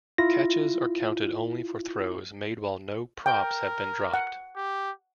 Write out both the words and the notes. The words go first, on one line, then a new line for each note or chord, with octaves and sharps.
Catches are counted only for throws made while no props have been dropped.
E4 F4 A#6
A#4 G5
F#5
G4